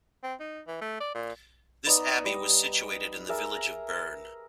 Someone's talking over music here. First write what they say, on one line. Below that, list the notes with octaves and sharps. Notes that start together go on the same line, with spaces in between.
This abbey was situated in the village of Bern.
C4
D#4
E3
A3
D5
A#2
B3 D#4 D5 D#6
G3 D#5
G#4 A#4 E5 A5
A#5